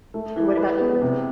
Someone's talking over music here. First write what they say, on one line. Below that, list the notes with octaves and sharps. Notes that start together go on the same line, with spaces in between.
And what about you?
A3
E3
B4
B3
C3